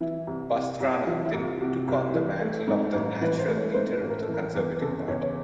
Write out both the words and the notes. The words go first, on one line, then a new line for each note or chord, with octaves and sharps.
Pastrana then took on the mantle of the "natural leader" of the Conservative party.
E3 E4
C2
C3
C2
E3 F4
E4
C2
F4
C3 F#4
C2
E3
A3
G#2
A1
E3 B4
C5
A3
C#5
B4
G#2 C5
B4
A1
A#4
A4
E3
A#4
E2
C#3 A4
E2 C#5
C#5